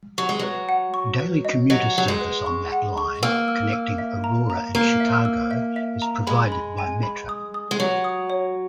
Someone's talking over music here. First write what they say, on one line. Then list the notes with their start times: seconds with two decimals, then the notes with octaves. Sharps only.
Daily commuter service on that line, connecting Aurora and Chicago, is provided by Metra.
0.18 F#3 C#6
0.29 G#3
0.39 F#3 B4
0.69 F#5
0.94 C#6
1.20 B4
1.45 D#5
1.70 F#3 D#5
1.96 F#3 F#5
2.08 G#3
2.21 B4
2.46 C#6
2.72 F#5
2.98 C#6
3.23 A#3 E6
3.48 E6
3.73 E6
3.98 E5
4.24 A#5
4.50 A#5
4.75 A#3 A#5
5.00 E5
5.25 E6
5.51 E5
5.76 E5
6.02 A#5
6.27 G#3 B5
6.52 B5
6.78 G#5
7.03 B5
7.29 D#6
7.54 D#6
7.71 G#3
7.79 F#3 C#5
8.04 D#6
8.30 C#5